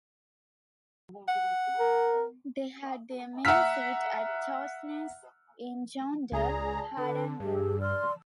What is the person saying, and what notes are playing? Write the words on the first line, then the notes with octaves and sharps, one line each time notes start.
They had their main seat at Torsnes in Jondal, Hardanger.
F#5
A#4
E5 F#5 A#5 E6 F6 B6
C#2 G#4 D5 A#5
D3 A4 B4
G2 G4 G#4
D5 C6 F6